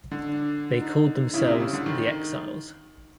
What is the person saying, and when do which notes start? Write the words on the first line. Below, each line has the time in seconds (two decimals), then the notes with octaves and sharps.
They called themselves the Exiles.
0.11 D3
0.29 D4
0.81 D#4
1.34 C#3 E4
1.47 C3
1.60 C#3
1.73 D3
1.86 D#3